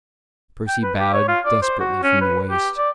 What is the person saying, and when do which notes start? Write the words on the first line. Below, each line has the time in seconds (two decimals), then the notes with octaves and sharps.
Percy bowed, desperately, from the waist.
0.68 G5
0.83 B4
0.99 G4
1.13 C#5
1.28 F4
1.45 D5
1.62 C5
1.80 F#4
2.03 C#4
2.21 B4
2.50 G4
2.78 D5